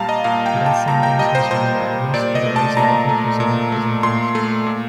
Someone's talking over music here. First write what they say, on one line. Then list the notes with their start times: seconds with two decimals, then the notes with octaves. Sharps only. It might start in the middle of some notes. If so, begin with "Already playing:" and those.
Death sentence must be unanimous, otherwise life imprisonment is imposed.
Already playing: A#2 G3 F5 A5 A#5
0.09 D#5
0.24 A#2 F5
0.46 G5
0.56 G3
0.66 A5
0.88 A#2 A#5
1.03 G5
1.19 G3 D#5
1.35 C5
1.51 A#2 C5
1.82 G3
2.13 A#2 D5
2.35 D#5
2.46 A3
2.56 A5
2.77 A#2 A#5
3.09 A3
3.40 A#2
3.72 A3
4.03 A#2 C6
4.35 A3
4.66 A#2